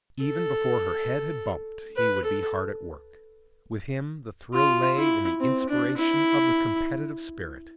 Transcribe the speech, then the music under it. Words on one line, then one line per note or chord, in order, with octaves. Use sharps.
Even before her head had bumped, he would be hard at work. With him the thrill lay in the inspiration of the competitive spirit.
A4
B4
A4
F4
E4
C4
D4
E4